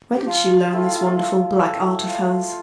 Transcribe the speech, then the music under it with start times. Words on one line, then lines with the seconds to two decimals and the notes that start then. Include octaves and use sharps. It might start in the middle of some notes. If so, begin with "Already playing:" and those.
"Where did she learn this wonderful black art of hers?"
0.16 G4
0.27 F3 F4
0.72 A3 E4 G4
1.17 F3
1.61 A3 E4 G4
2.06 F3 F4